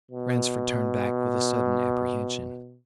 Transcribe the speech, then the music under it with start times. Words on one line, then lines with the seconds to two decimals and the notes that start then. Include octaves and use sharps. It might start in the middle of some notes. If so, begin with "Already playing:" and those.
Ransford turned back with a sudden apprehension.
0.11 B2